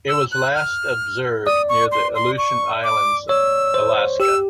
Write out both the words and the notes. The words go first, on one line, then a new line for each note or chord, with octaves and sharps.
It was last observed near the Aleutian Islands of Alaska.
E6
F#6
F6
D5 D#6
C#6
C6
C6
C#6
D6
C#5 E6
C5
G4 E6